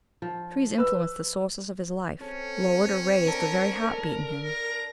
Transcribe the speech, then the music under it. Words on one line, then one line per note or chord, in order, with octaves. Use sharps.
Trees influenced the sources of his life, lowered or raised the very heart-beat in him.
F3
B4 E6
C4 C#4 A4 C#5
D4 A4 A#4
A#5